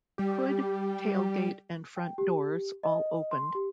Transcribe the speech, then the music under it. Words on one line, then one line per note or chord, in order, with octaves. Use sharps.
Hood, tailgate, and front doors all opened.
G3 G4
G5
G4
D#5
C6
G4